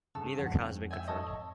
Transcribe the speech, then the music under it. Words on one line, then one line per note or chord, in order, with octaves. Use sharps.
Neither account has been confirmed.
G2 C#3 A4
F2 G#2 F#5
E5 G5 G#5
A4 C#5 D#5